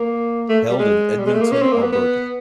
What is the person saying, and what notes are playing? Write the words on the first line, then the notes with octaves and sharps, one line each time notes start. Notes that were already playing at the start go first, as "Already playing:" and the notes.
Held in Edmonton, Alberta.
Already playing: A#3
A3
G3
G#3
G3
G#3
A3
A#3
C#4
C4
A#3
B3
B3